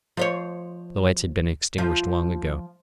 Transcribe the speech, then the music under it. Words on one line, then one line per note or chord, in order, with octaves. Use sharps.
The lights had been extinguished long ago.
F3 C5 C#5
F3